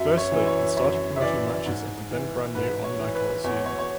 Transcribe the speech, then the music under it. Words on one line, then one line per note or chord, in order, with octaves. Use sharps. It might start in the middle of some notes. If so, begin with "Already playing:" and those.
Firstly, it started promoting matches at the then-brand-new Omni Coliseum.
Already playing: F#2 E5
C#5
E3
C#5
F#2 C#5
E5
E3 D5
G#2
E3
G#2 B4
C#5
E3
B4
E2 C#5
C#5
C#5